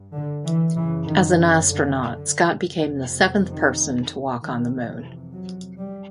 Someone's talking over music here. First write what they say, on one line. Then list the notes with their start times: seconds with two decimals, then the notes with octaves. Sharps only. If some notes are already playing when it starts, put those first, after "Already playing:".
As an astronaut, Scott became the seventh person to walk on the Moon.
Already playing: G2
0.16 D3
0.45 E3
0.76 F#2 C#3 E3
1.06 D#3
1.37 C#3
1.67 D3
2.59 F2 C3
3.51 D#3
4.42 F2 C3 D#3
4.87 E3
5.33 F#3
5.78 G3